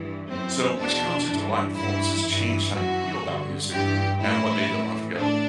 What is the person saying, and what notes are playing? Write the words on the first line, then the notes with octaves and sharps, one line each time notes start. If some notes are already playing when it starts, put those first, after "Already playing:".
So which concerts or live performances changed how you feel about music and what made them unforgettable?
Already playing: G2 E3
F#2 E3 C4
E2 B2 D4
G2 E3
G2 E3 E4
G2 E3
F#2 E3 F#4
G2 D3
G2 E3 G4
A2 E3 E4
A2 E3
A2 D4